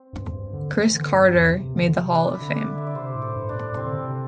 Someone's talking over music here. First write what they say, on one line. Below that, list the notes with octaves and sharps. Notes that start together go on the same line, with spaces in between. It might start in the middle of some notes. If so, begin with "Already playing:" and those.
Cris Carter made the Hall of Fame.
Already playing: C4
G2
E2
G2
D3
E3
D3
G2
E2
C3
D3
D3
C3
D4
E4
D3
D4
D3
E5
D5
C3 C5
A2
A4
G2
D4
A2
C3 C4
D3
C3